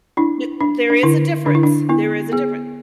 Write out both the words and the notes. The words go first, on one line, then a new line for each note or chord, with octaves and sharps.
The there is a difference, there is a difference.
D4 E4
D4
D4
D3 E4
D3 D4
E4
D4
B3 E4
B3 G#4